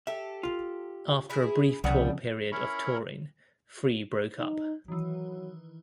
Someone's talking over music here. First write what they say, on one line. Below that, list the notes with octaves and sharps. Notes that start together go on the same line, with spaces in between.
After a brief tour period of touring Free broke up.
G4 A4 E5
F4
E4 G#4
C2 F2 C#3 G3 B3 F#5
C#4 E4 A#4 A#5 B5 C#6
D#4
D#3 E3 F#3